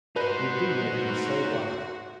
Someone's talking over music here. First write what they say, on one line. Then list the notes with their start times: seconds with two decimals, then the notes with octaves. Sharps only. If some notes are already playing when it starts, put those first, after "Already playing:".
They do make me so wild.
0.16 D#4 F#4 B4 C5